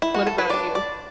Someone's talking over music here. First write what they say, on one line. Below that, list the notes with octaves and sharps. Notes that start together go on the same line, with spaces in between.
What about you?
E4
F#4
A4
B4
F#3 D4 D5
D5